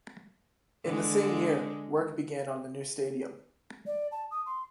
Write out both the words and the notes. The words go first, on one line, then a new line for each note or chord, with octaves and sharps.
In the same year, work began on the new stadium.
D3 G#3
D5
A5
D#6
C6